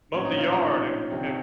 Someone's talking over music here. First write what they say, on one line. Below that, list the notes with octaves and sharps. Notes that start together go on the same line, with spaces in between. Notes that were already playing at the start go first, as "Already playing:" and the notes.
Mow the yard and and,
A#1 A2 C#4
D#4
F4
D#4
D#4
C2 C3 D#3 C4